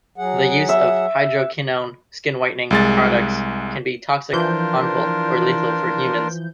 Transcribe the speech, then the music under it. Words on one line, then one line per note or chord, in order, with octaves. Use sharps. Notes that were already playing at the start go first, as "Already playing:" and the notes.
The use of hydroquinone skin-whitening products can be toxic, harmful or lethal for humans.
F#3 G#4 F#5
E5
C2 G#3 A6
E3 F3 D4 F4 A#4 G6